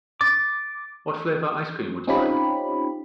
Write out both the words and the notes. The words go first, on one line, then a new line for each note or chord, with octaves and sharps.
What flavour ice cream would you like?
D6 A6
C4 C#4 D#4 F4 G4 B5